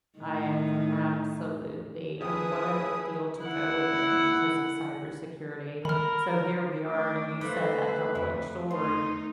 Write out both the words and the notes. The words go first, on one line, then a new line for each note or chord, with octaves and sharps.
I, uh, c absolutely. What a field to go in because of cybersecurity. So here we are, and you said that double-edged sword,
A2 D#3
D#3 F3 C#4 E4 G#4 B4 D#6
E4 F#5
D#3 A#4 B5 F6
A3 D4 D6
A3 A#3 B4 C5 E5
F2 E4
E2 A3 D#4 C6